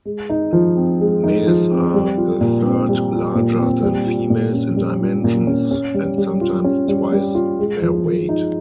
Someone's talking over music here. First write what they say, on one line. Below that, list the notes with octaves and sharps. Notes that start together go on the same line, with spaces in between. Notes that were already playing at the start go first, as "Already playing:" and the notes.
Males are a third larger than females in dimensions and sometimes twice their weight.
G#3
D#4
F3
C4
G#3
D#4
F3
C4
G3
F4
A#2
C4
G3
F4
A#2
C4
G3
F4
A#2
C#4
G3
F4
A#2
C#4
C#4
G3
G3
F4
C#4
G3
G3
F4
G#3
F3
F3
D#4